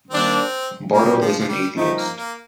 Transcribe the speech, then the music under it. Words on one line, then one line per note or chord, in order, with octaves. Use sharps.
Bartle is an atheist.
D#3 G3 A#3 C4 D4
A#2 G3 A#3 C4 G4
F3
F3
G3
G2 F3 A3 C4 D#4
A#3
A#3